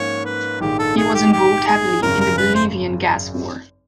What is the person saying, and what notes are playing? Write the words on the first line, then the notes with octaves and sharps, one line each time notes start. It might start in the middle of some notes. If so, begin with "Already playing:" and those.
He was involved heavily in the Bolivian Gas War.
Already playing: G#2 F3 A#3 C#4 C#5
B4
A#1 G#2 D#3 G#3 G4
A4
G#4
G4
G4
G#4
G#1 F#2 C#3 A#4
A#4
B4
C5